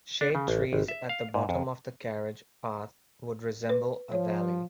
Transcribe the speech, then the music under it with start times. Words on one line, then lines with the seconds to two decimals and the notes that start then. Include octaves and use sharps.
Shade trees at the bottom of the carriage path would resemble a valley.
0.21 D4
0.35 C#3
0.48 A1
0.73 G#1
0.88 E5
1.09 F5
1.34 G#2
1.49 F2
3.69 B4
4.12 F3 C#5